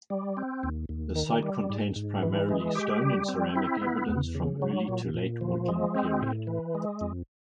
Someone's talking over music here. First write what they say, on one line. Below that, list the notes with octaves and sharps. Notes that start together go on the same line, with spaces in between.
The site contains primarily stone and ceramic evidence from Early to Late Woodland period.
G3
C4
D#2
D#2
D#3
G3
G#2
G#2
E3
G#3
G4
G3
C4
E4
B3
E2
C#3
F#3
A#2
A#2
F3
G#3
C4
A2
E3
G#3
F2